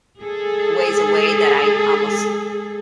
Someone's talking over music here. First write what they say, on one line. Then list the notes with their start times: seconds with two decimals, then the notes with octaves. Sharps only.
ways away that I almost
0.20 G#3 G#4 A4